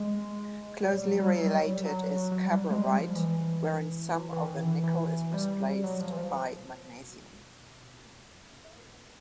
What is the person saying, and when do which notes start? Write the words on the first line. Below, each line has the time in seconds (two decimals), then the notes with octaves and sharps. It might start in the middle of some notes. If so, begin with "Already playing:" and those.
Closely related is "cabrerite" wherein some of the nickel is replaced by magnesium.
Already playing: G#3
0.82 F#3
0.95 G3
1.07 F#3
1.20 G3
1.33 F#3
1.47 G3
1.58 F#3
1.72 G3
1.85 F#3
2.32 F#3
2.45 G3
2.70 G#3
2.82 G3
3.00 F3
3.16 E3
4.32 E3
4.44 D#3
4.56 E3
4.83 E3
5.34 G3
5.84 F#3
6.00 F3
6.12 E3
6.17 F3